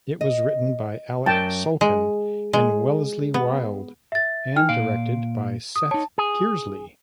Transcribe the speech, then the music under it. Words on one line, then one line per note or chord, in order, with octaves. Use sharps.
It was written by Alec Sulkin and Wellesley Wild and directed by Seth Kearsley.
D#5
F#2 G5 A5
G#3
G#3
B3
E5 A6
D#4 G5 F6
A#2 F5 D7
D#6
D#4 C#5 A5
G#4